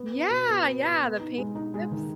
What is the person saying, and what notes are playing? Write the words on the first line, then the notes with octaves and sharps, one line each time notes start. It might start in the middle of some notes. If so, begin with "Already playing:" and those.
Yeah, yeah, the paint tips.
Already playing: B3
B3
B2
B3
B3
B3
B3
D#4
G#3
D#4
G#3
D#3